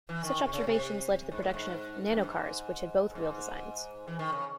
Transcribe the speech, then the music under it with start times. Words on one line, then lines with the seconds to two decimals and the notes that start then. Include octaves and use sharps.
Such observations led to the production of nanocars which had both wheel designs.
0.09 E3
0.24 D#3
0.40 C3
0.53 C#3
0.67 C3
1.32 G#2
1.42 A2
1.54 G#2
2.12 F#2
2.23 G#2
3.15 G#2
4.08 E3
4.19 D#3
4.32 C#3